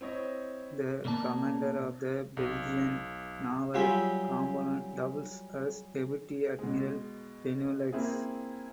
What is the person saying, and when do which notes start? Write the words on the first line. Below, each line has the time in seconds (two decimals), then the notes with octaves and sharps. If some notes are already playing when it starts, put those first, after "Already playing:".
The commander of the Belgian Naval Component doubles as Deputy Admiral Benelux.
0.01 C4 E4 C#5 D#5
1.05 B2 A#3 D5 A5
2.37 B1
3.74 F#3 G3 F4 G4 G#4 E5
6.59 B2 G#3
7.92 A#3 C4 E4 G#4